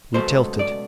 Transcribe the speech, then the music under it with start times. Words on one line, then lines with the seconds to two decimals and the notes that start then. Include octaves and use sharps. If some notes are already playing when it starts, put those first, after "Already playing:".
We tilted.
0.14 C#2 B2 F#3 A3 C5
0.59 D5